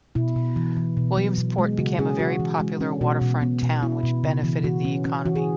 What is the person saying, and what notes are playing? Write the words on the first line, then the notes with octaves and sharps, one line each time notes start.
Williamsport became a very popular waterfront town which benefited the economy.
B2 E4
B2
E3
E3
B2
F#3
B2
G#3
C#3 F#4
C#4 G#4
E3 F#4
E3
G#3
C#4
B2 F#4
B2
B3
B2
B3 E4
B2
C#3
E3
E3 F#4
C#4
C#4
E3 F#4
G#4